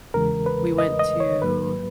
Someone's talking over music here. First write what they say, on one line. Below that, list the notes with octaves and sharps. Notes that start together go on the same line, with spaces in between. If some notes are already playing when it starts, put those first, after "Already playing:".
we went to,
E2 C#3 E3 G#3 A#4
B4
D#5
D#5
C#5
G#2 F#3 A#3 B4